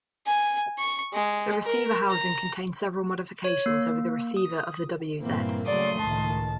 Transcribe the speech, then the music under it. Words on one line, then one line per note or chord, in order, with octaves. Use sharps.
The receiver housing contains several modifications over the receiver of the wz.
G#5
C#6
G#3
A#4
A#5
C#5
A#3
D#6
G2 A#2 E3 A#3 C4
C#3 F#3 A3 D5 C6 D#6
C#2 A2 D#3 A5